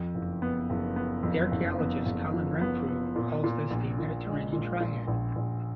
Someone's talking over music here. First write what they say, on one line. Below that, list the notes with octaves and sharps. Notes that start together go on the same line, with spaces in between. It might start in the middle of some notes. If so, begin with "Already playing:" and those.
The archaeologist Colin Renfrew calls this the "Mediterranean triad".
Already playing: F2
F#1
B3
F#1
B3
F2
F#1
B3
F#1
F3
B3
B3
A#2
A#2
A#1
A#2
G#3
A#2
A#2
A#1
A#1